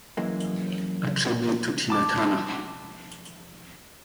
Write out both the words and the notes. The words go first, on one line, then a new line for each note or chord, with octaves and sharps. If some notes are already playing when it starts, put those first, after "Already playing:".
A Tribute To Tina Turner.
F#2 E3 G#3 A#3
A5 D6